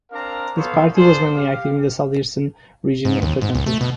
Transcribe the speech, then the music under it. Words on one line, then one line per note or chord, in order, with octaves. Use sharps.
His party was mainly active in the southeastern region of the country.
C4 D4 A#4 F5 A#5
B3 A4 C5 C#5 F5
D4 F4 G#4 A4 C5
G4 F5
G#2
D#2
G#2
C#2
A3
B2